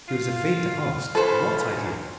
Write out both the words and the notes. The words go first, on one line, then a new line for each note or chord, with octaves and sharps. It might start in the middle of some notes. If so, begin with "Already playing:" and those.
He was afraid to ask what idea.
F4 F5
C#2 A4 B4 C5